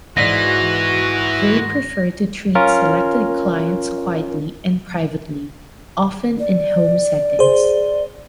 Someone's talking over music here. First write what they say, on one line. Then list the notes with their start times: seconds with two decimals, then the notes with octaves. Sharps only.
They prefer to treat selected clients quietly and privately, often in home settings.
0.17 G#2 E3 F#4 D5 A#6 B6
2.55 C#4 F4 A#4
6.39 D5
7.39 G#4 C5